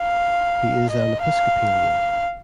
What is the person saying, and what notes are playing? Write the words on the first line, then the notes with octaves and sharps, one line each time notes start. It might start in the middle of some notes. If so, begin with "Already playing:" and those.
He is an Episcopalian.
Already playing: F5
D#5
F5